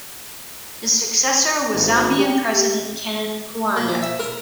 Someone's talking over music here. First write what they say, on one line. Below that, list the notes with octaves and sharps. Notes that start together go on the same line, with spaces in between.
His successor was Zambian President Kenneth Kaunda.
G#1
G4
A#3
F3
E5
A#4